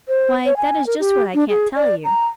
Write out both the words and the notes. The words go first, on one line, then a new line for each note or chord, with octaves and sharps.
'Why, that is just what I can't tell you.
C5
C#5
G#5
A#4
G4
D4
G#4
D5
A#5